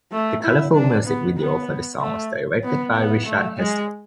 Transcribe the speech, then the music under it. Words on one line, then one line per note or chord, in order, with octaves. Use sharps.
The colorful music video for the song was directed by Richard Heslop.
A3
E4
D4
B3
B3
A3
B3
B3
A3
G#3